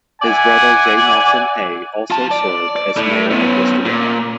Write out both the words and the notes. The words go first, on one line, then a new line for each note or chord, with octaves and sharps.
His brother J. Nelson Hay also served as mayor of Listowel.
D5 E5 F#5 G#5
F4 A5
D5
D5
A2
B3 C#4
A#2